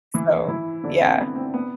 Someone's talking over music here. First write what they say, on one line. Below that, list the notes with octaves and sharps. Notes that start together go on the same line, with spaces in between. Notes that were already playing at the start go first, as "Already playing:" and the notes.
“So, yeah,
E3 E4
E3 E4
D3 D4
C4
B3
C4
B3